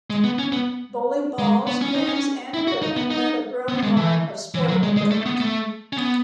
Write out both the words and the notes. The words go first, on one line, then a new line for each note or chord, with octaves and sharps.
Bowling balls, pins, and equipment led a growing line of sporting equipment.
G#3
B3
C#4
B3
G#3
B3
C#4
D#4
C#4
E4
F#4
D#4
B3
D#4
B3
G#3
E3
E3
F#3
G#3
G#3
A3
B3
A3
C#4
B3